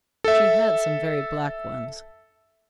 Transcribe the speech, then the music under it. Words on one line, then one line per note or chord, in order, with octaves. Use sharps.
She had some very black ones.
A4 E5